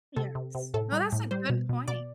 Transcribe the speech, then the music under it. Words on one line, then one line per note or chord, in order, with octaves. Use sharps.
Yes. No, that's a good point.
C3 A4
C3
C3
A2 A4
G3
A2
G3 C5
B2
B2
B2 D5